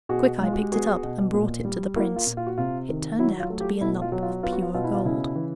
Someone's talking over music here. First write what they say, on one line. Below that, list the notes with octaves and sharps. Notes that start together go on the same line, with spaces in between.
Quickeye picked it up and brought it to the prince. It turned out to be a lump of pure gold.
B2 F#4 G#4
G#3 F4
F#4
G4
B3 F#4 G#4
B2
A#2
G3
A#3 E4 F#4
F4
A#2
F4
F#4
C3 F4
D#3
F#3 E4
F4
A3
F4 G4
B2 E4
F4
F#3
F4
B3 F4
F#4
F4
B2 F4
E4
F4
C#3 E4
E3